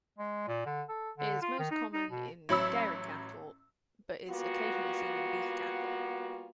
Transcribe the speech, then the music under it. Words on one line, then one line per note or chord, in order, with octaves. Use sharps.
It is most common in dairy cattle, but is occasionally seen in beef cattle.
G#3
A#2
D3
A4
D3
F4
D#3
D#4
D#4
B2
A1 F#3 B5 E6
G3 A#3 B3 F4 F#4